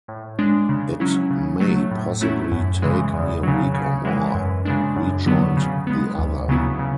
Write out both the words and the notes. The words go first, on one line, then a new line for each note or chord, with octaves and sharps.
"It may possibly take me a week or more," rejoined the other.
A2
G#3 D4
C#3
F#3 C#4 E4
C#3
F#3 A3
A2
F#3 A3 C#4 E4
F#2
C#3 E3 G#3
E2
C#3 F#3
C#3
E3 G#3
F#2
C#3 G#3 D4
F#2
D3 F#3 B3
C#3
G#3 B3
D2
C#3 F#3 B3 E4
C#3